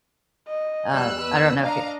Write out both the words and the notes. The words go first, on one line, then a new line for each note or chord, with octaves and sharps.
Uh, I don't know if you
D#5
E2 G3 E6 F#6
B4
D4 D#5 F5 A#5